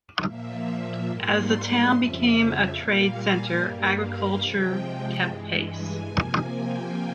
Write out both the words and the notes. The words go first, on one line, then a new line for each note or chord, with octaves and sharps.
As the town became a trade center, agriculture kept pace.
A#2 F3 A#3 E5
G#2 G3 A#3 C6
F2 C#3 F3 E5
A#2 G3 A#3 F5
G#5
G2 G3 A#3
F5
C3 F3 G#3 G5
G2 E3 G#3
G#5
C3 F3 A#3 G#5
G5